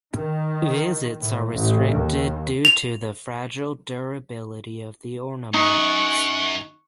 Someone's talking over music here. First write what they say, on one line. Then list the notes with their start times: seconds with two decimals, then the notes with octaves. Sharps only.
Visits are restricted due to the fragile durability of the ornaments.
0.14 D#3
1.21 A2
1.54 A1
1.93 D#2
2.65 F7
5.54 F#2 D#4 C#6 F#6